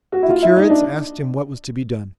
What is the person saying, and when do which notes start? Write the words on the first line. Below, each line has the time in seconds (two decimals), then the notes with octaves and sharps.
The curates asked him what was to be done.
0.12 F#4
0.23 E4
0.30 F4
0.43 E4
0.56 D#4
0.70 D4